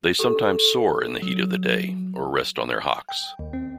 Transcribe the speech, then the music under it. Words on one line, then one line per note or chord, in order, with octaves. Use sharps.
They sometimes soar in the heat of the day or rest on their hocks.
G4 A4
F#3
G5
D#2
C4